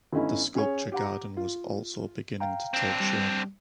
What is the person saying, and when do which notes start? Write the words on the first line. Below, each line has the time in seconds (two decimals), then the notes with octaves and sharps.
The sculpture garden was also beginning to take shape.
0.12 G1 A3 C#4 D#4 E4
0.55 C#4 G#4 C#5
0.92 G4 F#5 A#5
1.37 F4
2.40 F5 G5 A#5
2.74 C4 D4
3.00 G3